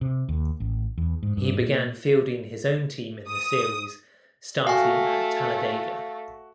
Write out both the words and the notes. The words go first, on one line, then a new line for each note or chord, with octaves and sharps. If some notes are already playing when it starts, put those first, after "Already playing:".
He began fielding his own team in the series starting at Talladega.
C3
D#2
A1
E2
G#2
G2
A#2
D#6
A3 F#4 F5 G5 G#5